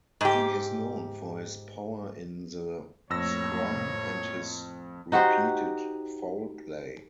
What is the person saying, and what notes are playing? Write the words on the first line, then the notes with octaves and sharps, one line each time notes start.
He is known for his power in the scrum and his repeated foul play.
G#2 G4
F2 A2 A#3 C#5 E6 A#6
D#4 F#4 G4 C5